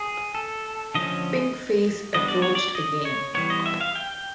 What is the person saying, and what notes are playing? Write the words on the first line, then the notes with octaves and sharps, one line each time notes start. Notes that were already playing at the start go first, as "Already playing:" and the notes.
Pink face approached again.
Already playing: G#4
A4
D3 F3 A3 C#4 D#5
G3 B3 D4 D#5
D5
C#5
D5
D#5
C#5
E3 G3 B3 C#5
D#5
E5
F5
G5